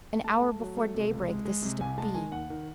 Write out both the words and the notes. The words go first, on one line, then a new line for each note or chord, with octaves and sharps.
An hour before daybreak this is to be.
A3 A5
A3
F#3
A3
C3
C#2
G#3
G#3
C3
C2 G#5
G#3 A5
D#3 G#5
D#2 F#5
D#3